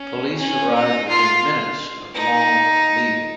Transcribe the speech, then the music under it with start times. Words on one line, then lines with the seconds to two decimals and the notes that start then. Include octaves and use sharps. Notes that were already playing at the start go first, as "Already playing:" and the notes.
Police arrived within minutes of Long leaving.
Already playing: C#4
0.39 C#4
0.74 D#4
1.09 F4
2.14 D#4